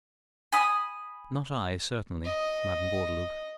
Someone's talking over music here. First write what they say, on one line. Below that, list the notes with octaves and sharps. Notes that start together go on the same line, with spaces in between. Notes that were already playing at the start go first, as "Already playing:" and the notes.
"Not I, certainly, Madam Gordeloup."
G#5 B5 D#6
D#5